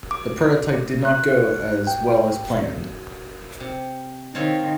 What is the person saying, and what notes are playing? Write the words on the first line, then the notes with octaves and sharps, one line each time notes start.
The prototype did not go as well as planned.
D6
F#6
G5
C3
D#3 C4 F4 C#5